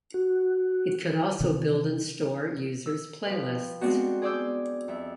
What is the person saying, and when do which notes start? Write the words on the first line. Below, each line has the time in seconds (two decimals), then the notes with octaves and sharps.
It could also build and store users' playlists.
0.14 F#4
1.40 C3 D#3 E3 F#3
2.86 E6
3.27 F3 G4 B4
3.81 G#3 B3 C4 D4 F#4
4.22 G#4 C5 D5 D6 E6 G6
4.88 F2 E5